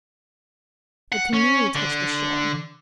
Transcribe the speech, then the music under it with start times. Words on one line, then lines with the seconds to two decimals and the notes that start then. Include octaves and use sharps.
The canoe touched the shore.
1.13 F#5
1.34 C#4
1.76 D3